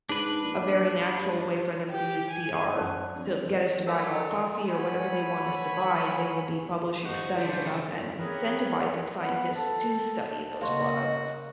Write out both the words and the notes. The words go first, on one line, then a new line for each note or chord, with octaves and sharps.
a very natural way for them to use PR to get us to buy more coffee or whatever they want us to buy, they will be publishing studies about that and incentivizing scientists to study those products.
G#2 D4 B4
A#1
G2
G4
G#5
F#2 C#4 C5 D5 F#5 A5
F3 C4 D4
F#3 A3 A#4 D5
A3 C#5 F#5 G#5 B5
D#4 F#4 G4 C5
E4 C5 C#5
C#3 A3 D4 C#5 D5
E5
A#3 C4 G#4 A#4 B4 C#5
B3
A4
C#3 A#3 F#4 D#5 F5 C6 C#6